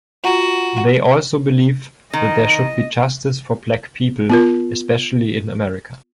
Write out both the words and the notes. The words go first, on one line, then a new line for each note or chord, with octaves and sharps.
They also believe that there should be justice for black people especially in America.
F4 F#4 F#5 A#5
D#3 D#5
B3 F4 A#4